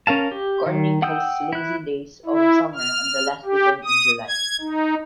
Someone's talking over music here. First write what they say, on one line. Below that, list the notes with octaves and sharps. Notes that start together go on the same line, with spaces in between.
Corning hosts Lazy Days of Summer on the last weekend in July.
C#4 A#4 F5 A5
G4
D#3
F#5 G5 D#6 E6 G6
E4 F#6
E4
F6
G4
D#6
G#6
D#4